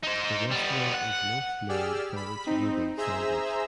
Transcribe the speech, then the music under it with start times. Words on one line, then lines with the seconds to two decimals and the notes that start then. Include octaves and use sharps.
The restaurant is most known for its Reuben sandwich.
0.03 D#4 C5
0.51 G3 B3
0.95 F#5
1.69 G4 G#4 D5 E6 F6
2.16 B5 B6
2.46 C4 D#4
2.97 G#4 C5 E5 A#5 E6